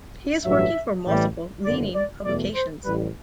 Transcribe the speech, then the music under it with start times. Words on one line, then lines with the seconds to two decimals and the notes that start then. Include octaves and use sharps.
He is working for multiple leading Publications.
0.45 A1 G2 F#3 E5
1.05 A1 A2 E3 G3
1.65 F#1 E2 D3 D5
1.95 D5
2.25 E2 B2 A3 D5
2.55 C5
2.85 A1 A2 G3 B4